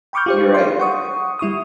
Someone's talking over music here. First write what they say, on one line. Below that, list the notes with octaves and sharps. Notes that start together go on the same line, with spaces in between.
You're right.
G5 B5 C#6 D6 F6 G6
F4 G4 C5
F5 C6
F#5 C#6 D#6
G3 E4 C#6 D#6